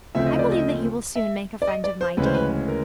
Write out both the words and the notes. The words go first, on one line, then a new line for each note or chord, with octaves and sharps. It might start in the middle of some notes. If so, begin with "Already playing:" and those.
I believe that you will soon make a friend of my Dane.
D2 C#3 F3 A3 C4 E5
D#5
D5
D#5
E5
D5
D#5
D5
C5
D2 C#3 E3 G#3 C#4 B4
C5
B4
A#4